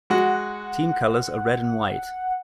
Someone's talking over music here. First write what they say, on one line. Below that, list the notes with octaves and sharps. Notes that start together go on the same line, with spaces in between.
Team colours are red and white.
G#3 F#4 F#5